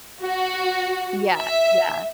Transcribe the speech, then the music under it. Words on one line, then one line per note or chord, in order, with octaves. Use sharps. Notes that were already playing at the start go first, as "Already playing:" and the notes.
Yeah, yeah.
F#4
E5